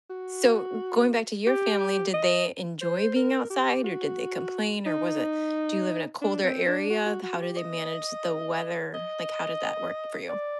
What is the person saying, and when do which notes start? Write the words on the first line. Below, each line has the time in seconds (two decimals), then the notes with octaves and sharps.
So, going back to your family, did they enjoy being outside, or did they complain, or was it Do you live in a colder area? How do they manage the weather? Like, how did that work for you? r
0.10 F#4
1.46 G4
2.14 D#5
2.81 C5
3.15 A#4
3.50 G4
3.84 F#4
4.86 D#4
6.21 D4
6.44 C4
6.67 D4
6.90 F#4
7.06 F#4
7.23 F#4
7.41 G4
7.57 D#5
8.94 D#5
10.29 D5